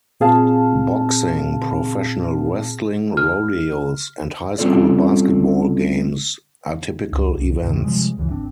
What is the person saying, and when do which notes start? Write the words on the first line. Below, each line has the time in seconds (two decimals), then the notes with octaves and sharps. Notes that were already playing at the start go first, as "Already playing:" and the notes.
Boxing, professional wrestling, rodeos, and high school basketball games are typical events.
0.20 A#2 C4 G#4 F5 A5 F6
3.17 F6
4.58 G3 C4 C#4 F4 A4 D5
7.12 C#2
7.35 C2
7.62 D2 G2 C3 D#3
7.84 C3 F3 G3 G#3
8.17 D1 C#2 F#2 E3
8.30 G#1 C4 D4